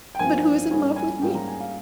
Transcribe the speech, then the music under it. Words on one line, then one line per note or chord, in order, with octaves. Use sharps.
But who is in love with me?
G5
G2 F3 A#3 G#5
G#2 G3 A#3 C#4 G#5
G#5
G#2 G3 A#3 C#4 G5
A#5
G#5
F5